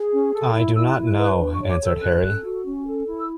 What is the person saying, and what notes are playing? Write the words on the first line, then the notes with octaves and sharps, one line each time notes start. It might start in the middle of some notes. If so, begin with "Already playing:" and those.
"I do not know," answered Harry.
Already playing: G#4
C#4
A4
E4
E4 E6
F#6
E4
F#6
B4
F#6
D4
C#6
C#5
D6
A4
E6
C#4 F#6
A4
F#4
C#4
A4
E4
E6